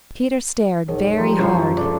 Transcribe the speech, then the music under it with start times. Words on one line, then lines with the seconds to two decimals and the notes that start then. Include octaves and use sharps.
Peter stared very hard.
0.88 B1 G#4 A#4 C#5
1.18 F3 G3 G4 A#5 C6
1.38 F#2 F3 C5 C#5 C#6
1.77 D4 A4